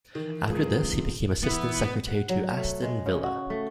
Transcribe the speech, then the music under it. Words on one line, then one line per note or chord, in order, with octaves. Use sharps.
After this he became assistant secretary to Aston Villa.
D#3 E3
C#2 D3 F3 C4 G#4
E3 B3 E4
F#5
F#3
A3
G#3
C#3
F#4
A3